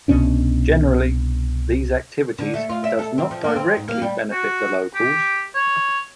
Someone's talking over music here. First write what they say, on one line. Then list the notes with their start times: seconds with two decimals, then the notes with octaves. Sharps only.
Generally, these activities does not directly benefit the locals.
0.08 C2 B2 C#4 D4
2.39 D3
2.54 A3
2.69 F4
2.84 E5
2.99 A4
3.18 C4
3.31 F3
3.44 A#3
3.56 C4
3.77 G#2
3.88 A#3
4.02 G3
4.32 F#4
4.95 G4
5.55 C#5